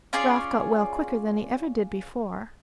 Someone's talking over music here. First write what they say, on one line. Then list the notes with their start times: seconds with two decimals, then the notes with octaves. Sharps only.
Ralph got well quicker than he ever did before.
0.13 C#4 F4 G#4 D5